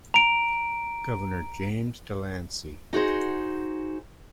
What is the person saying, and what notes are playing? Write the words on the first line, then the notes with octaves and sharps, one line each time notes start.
Governor James Delancey.
A#5 D7
D#4 F#4 G#4 C5